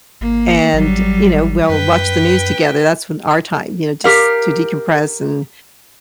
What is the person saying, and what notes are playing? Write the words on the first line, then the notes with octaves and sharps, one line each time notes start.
And, you know, we'll watch the news together. That's when our time, you know, just to decompress and
G#1 A#3
G#1 F#3 G3
F#2 B4 G5
G4 A#4 F5